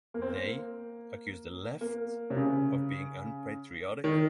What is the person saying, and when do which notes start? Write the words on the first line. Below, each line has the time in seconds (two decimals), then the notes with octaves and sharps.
They accused the Left of being unpatriotic.
0.14 A#3
0.22 C4
0.28 A#3
1.81 A#3
2.30 C3
2.37 C#3
4.04 D#3